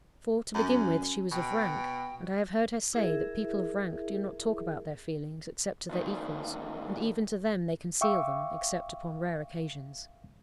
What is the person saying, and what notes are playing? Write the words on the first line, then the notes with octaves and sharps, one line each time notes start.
For, to begin with, she was of rank: and I have heard her say that people of rank do not talk about their feelings except to their equals, and even to them they conceal them, except upon rare occasions.
F#2 C#4
B2 G5
E4 G#4 A#4 E5
D2 D#3
E5 F5 G5 C#6 D6 E6